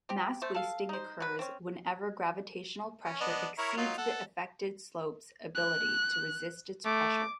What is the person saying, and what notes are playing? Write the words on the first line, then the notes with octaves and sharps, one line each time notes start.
Mass-wasting occurs whenever gravitational pressure exceeds the affected slopes ability to resist its pressure.
C4 G4
A3 C5
A4 F5
D#4 C5
F#3 B4
C4 C#4
C#4
B3 D4 D#5
E4 A#4 C#5
F#3 D#4 F4
A4 F#5
F#6
A3 D6